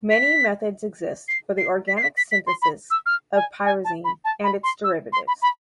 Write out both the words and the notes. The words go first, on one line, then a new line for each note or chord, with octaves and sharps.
Many methods exist for the organic synthesis of pyrazine and its derivatives.
B6
C7
C7
B6
C7
B6
B6
B6
C6
B5
E6
F6
G#5
G#5
A5
B5
A5
B5
C6
E6
C6
B5
B5